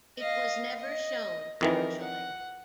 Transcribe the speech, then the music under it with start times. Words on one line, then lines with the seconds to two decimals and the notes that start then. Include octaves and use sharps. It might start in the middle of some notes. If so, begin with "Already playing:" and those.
It was never shown commercially.
0.17 D#5 F5
0.79 D#5
1.61 F2 D#3 E3 A#4
2.01 F#5